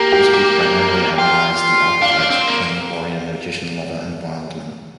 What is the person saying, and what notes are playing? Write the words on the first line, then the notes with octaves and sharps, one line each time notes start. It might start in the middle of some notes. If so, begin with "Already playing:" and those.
This group primarily analyzed the archetypes of King, Warrior, Magician, Lover and Wildman.
Already playing: A#3 G4 A#4
G4
A#3 G4
F4 G5
D4 F5
F4
D4
C4
A#3